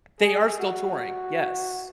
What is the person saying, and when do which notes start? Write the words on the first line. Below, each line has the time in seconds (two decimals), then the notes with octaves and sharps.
They are still touring, yes.
0.20 G#4
0.59 F#4